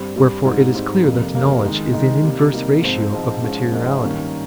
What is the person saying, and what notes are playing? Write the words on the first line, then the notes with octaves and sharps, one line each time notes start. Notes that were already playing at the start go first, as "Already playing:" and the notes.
Wherefore it is clear that knowledge is in inverse ratio of materiality.
Already playing: G2 G3 C4
G2 G3 C4
G#2 G3 C4 D#4
G#2 G3 C4 D#4
F2 C3 G3 A#3
F2 C3 G3 A#3
D#3 G#3 D#4
D#3 G#3 D#4
C3 G3 A#3 D#4
C3 G3 A#3 D#4
G#2 F3 C4
G#2 F3 C4
G#2 F3 G#3 C#4
G#2 F3 G#3 C#4
G2 D#3 A#3 C#4